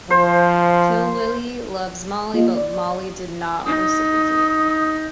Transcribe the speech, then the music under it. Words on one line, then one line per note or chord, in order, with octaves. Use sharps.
Kilwillie loves Molly, but Molly did not reciprocate.
F3 C5
A#3 F4 D#5
D5
D#4 D#6